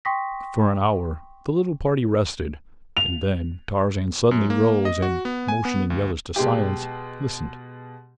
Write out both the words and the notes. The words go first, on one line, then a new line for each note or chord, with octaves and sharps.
For an hour the little party rested and then Tarzan suddenly rose and, motioning the others to silence, listened.
G5 C6 C#6 D#6 A#6 B6
F7
F#2
A#3
D#5
F#4
B3
G#5
B3
D2
B2 G#3 G4